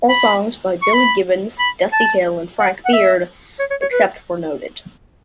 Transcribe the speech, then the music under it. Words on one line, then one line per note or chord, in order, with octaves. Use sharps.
All songs by Billy Gibbons, Dusty Hill and Frank Beard, except where noted.
B5
C#6
B5
B5
A5
F#5
F#5
E5
C#5
C#5
C#5
B4